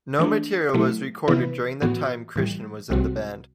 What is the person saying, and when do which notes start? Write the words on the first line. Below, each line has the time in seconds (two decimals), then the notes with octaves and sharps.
No material was recorded during the time Christian was in the band.
0.19 E3 A3 D4
0.74 B2 F#3 A3 E4
1.28 C3 E3 B3 E4 B4
1.82 A2 E3 B3 F#4
2.36 A2 E3 G3
2.90 C2 C3 G3 C4 F#4